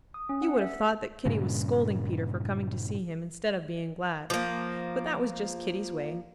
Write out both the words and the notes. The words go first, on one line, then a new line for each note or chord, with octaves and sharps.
You would have thought that Kitty was scolding Peter for coming to see him instead of being glad. But that was just Kitty's way.
D#6
C#4
F#5
E5
G2 A#2 C#3 C#4
F3 A#3